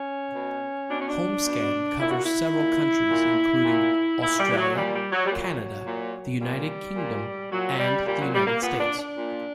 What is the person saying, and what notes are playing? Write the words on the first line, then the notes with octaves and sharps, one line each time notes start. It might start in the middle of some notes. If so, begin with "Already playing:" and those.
Homescan covers several countries including Australia, Canada, the United Kingdom, and the United States.
Already playing: C#4
B2
B2 D4
C#4
D4
B2
A#2 E4
F#4
E4
A#2
A#2
A#2
A#2 E4
G3
E3
F#3
A#2 G3
G3
F#3
G3
A#2 F#3
A#2
A#2 G3
A#2
A#2 F#3
G3
A#2 G3
F#3
G3
A#3
A#2 B3
D4
D4
A#2